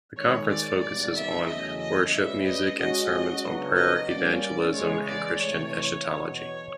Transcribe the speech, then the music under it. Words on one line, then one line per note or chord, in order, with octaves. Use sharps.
The conference focuses on worship music and sermons on prayer, evangelism, and Christian eschatology.
G#2 D#3 G#3 C#5
D5
E2 B2 G3 A#3 D#4 D5
E5
E2 C#3 F#3 A3 C#4 D#5
D#5
G#3 C#4 F#4 B4 D5 E5
D#5
G#3 C#4 F#4 D#5
C#3 F#3 B3 D4 F#4
D#5
G3 A#3 C#4 D5
D5
C#3 E3 G#3 C#5
D5
C3 E3 A3 C#5
C#5
E2 B2 F#3 B3
C#5